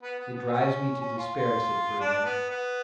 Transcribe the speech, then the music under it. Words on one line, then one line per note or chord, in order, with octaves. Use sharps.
"It drives me to despair," said Fernand.
B3
B3
B3
C#4
C#4
F4
F4
D4
B3
B3